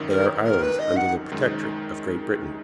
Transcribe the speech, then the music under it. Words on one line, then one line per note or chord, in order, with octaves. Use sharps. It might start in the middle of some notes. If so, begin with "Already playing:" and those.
"They are islands under the Protectorate of Great Britain."
Already playing: G#1 F#2 D#3
A#4
A#4
B4
D#5
F#5
F#2 D#3 G#3 D#4